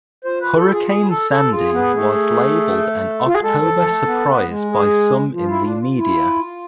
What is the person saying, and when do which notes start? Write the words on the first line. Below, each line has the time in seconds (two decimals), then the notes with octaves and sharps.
Hurricane Sandy was labelled an October surprise by some in the media.
0.24 F4 C5
0.40 B4
0.56 A4
0.72 G#4
0.88 G#4
1.10 A4
1.31 A4
1.51 F4 G#4
1.73 B3
1.94 A3
3.26 F4
3.35 G#4
3.42 G#3 A4
3.57 F3
3.74 F3
3.89 A3
4.05 B3
4.27 B3
4.48 G#3
4.69 G#4
5.32 F3 F4
5.49 E4
5.64 D4
5.80 F4
5.95 E4